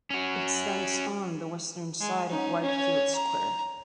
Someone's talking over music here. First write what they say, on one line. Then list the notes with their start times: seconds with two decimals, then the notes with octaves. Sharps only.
It stands on the western side of Whitefield Square.
0.10 C#4 F#4
2.01 G#3
2.30 C#4 D#4
2.62 C#4 C#5
3.15 A#5